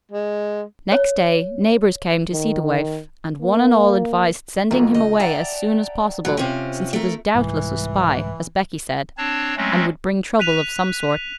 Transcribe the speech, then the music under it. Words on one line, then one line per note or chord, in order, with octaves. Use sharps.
Next day, neighbors came to see the waif, and one and all advised sending him away as soon as possible, since he was doubtless a spy, as Becky said, and would bring trouble of some sort.
G#3
C#5
D#3
A#3
B1 F2 A3 A#5
C#2 D#5
D5 E5 F#5 G5 A5 A#5
D2 F#3
C3 C4 C#4 F4
A3 A#4
C2 G#2 E3
C4 D4 C#5 A5
F#3 G#3 A3 C4 C#4
F#6 B6 D#7 F7